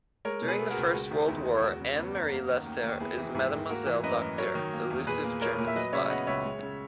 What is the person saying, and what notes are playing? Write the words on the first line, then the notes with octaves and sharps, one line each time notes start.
During the First World War, Anne-Marie Lesser is Mademoiselle Docteur, elusive German spy.
G#3 A#4 C#5
B2
G#4 B4
B3
F#4 A#4
C#2
G#3 F#4
D#3
E2 E4
E2
E4
G#3 F#4
C#3
B3
F#2
A#3
D#3
D#2
D#2
B3 E4 G#4
E3
G#2 E4 G#4
G#2
A#3 F#4 A#4
E3
F#2 B4 D#5
F#2
F#3 A#4 C#5
D#3
A#3
E2
A#2 G#4 B4
A#3
A#3 A#4 C#5
A#2
E5
F#3 B4 D#5
C#3 C#5 E5
B3 D#5 F#5
C#2 C#5 E5
G#3
C#3